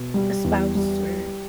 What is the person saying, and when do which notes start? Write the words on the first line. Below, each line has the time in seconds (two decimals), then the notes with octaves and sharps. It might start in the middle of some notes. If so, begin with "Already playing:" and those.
a spouse or
Already playing: B2
0.14 G3
0.44 E2
0.75 G3